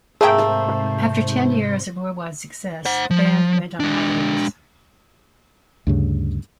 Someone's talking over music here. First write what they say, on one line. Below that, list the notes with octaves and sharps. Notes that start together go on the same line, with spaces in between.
After ten years of worldwide success, the band went on hiatus.
G#2 C3 A3 A#3 G#4 C5 E5 G5
C5 F#5
F3
G#3 D4
D2 G2 C#3